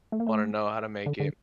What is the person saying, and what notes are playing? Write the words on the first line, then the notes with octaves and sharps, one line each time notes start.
I wanna know how to make it.
A3
A#3
A3
D3
D3